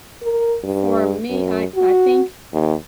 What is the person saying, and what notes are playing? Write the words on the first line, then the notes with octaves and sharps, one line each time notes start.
for me, I I think
A#4
G2
F#2
F#4
D#2